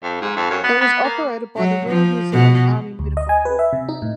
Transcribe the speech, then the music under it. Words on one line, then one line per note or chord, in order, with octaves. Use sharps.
It was operated by the Royal New Zealand Army Medical Corps.
F2
G#2
F2
F#2
B3
B3
A#3
F#3
F3
B2
D2
D#5
G#5
B4
E5
C3
D#4
A2